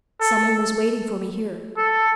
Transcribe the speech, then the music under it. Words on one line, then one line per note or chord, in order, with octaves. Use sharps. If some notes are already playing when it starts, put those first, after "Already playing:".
"Some one was waiting for me here."
A4
A4